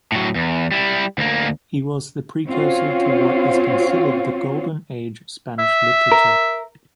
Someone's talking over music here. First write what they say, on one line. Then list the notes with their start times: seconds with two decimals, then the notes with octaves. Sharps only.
He was the precursor to what is considered the golden age of Spanish literature.
0.12 A2 F#3
0.36 E2
0.72 G3 E4
1.18 D2 A#3
2.47 C4 C#4 F4 F#4 C5 C#5
5.59 E5
6.12 A#4